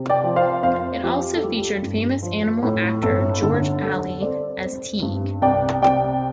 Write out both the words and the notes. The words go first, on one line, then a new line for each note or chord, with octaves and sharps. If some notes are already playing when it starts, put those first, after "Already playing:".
It also featured famous animal actor George Ali as Tige.
Already playing: C3
D5 G5
F3
C5 F5
F2 C5 F5
F3 G4
A4
G3 G4
G2
F3
A2
G1 A4
D3 A4
G3 A4
C4 A4 D5
C4
G2
C2 D5 G5
C3 D5 G5